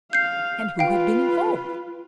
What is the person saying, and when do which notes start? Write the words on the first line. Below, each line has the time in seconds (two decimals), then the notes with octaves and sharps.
And who had been involved?
0.13 F5 G6 C7
0.79 F4 B4 F5 G5